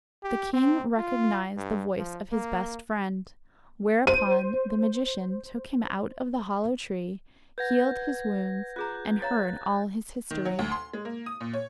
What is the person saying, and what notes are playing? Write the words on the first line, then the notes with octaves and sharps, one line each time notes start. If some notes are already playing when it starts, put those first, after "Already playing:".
The king recognised the voice of his best friend: whereupon the magician took him out of the hollow tree, healed his wounds, and heard all his history.
G4
C4
F4
G2
F3
A#3
C5 D#7
B4 F#5 G6 G#6 A#6
F4 G#4 A#5 F#6 G6
C#5 F5 A#5 A6
D#3
F#3
D2
C6
G#3
A#3
D#6
A#2
C#5